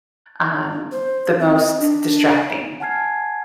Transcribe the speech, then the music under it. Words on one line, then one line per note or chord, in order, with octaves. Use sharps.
um, the most distracting.
C5
C4
D#5
D4
F#5 G#5 A5 F6 G#6 C7